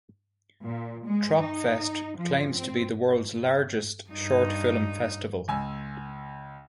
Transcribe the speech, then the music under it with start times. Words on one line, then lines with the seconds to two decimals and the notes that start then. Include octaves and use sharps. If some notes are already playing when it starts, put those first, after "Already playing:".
Tropfest claims to be the world's largest short film festival.
0.64 A#2
1.06 G#3
1.40 D#4
2.18 F3
2.53 C4
4.10 G2 D#4
5.48 C#2 G#5 E6